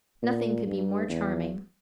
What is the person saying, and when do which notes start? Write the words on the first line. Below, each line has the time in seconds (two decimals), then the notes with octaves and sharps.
Nothing could be more charming.
0.22 A#2
0.66 G2
1.09 E2